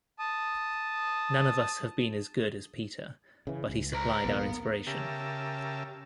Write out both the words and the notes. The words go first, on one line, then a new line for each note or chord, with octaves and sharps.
None of us have been as good as Peter, but he supplied our inspiration.
A5 D#6
C#3 E3
C#2
B4 A#5
A#1 D#2 A#3 B3
C#3 G4 A#4 E5 A5